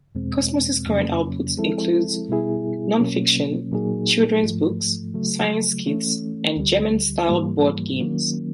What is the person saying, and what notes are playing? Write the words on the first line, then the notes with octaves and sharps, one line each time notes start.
Kosmos's current output includes non-fiction, children's books, science kits and German-style board games.
E2 B2 G#3 C4
F2 C#3 F#3 A#3 C#4
F3 G#3 C4 E4 A4
B2 G3 B3 E4 G#4
B2 F#3 A#3 C#4
A#2 F#3 A#3 D#4 G#4
G#2 F3 A3
C#3 F#3 A3
E3 A3 C#4
D2 D3 G3
G#2 E3 G3 A#3
D#3 F#3 A#3 C#4